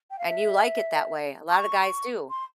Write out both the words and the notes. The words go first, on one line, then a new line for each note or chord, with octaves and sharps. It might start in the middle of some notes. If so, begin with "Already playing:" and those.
and you like it that way. A lotta guys do.
G5
F5
E5
C#6
C6